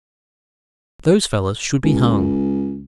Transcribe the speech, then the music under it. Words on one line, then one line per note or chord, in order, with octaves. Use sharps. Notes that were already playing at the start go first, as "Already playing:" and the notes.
Those fellows should be hung.
C#2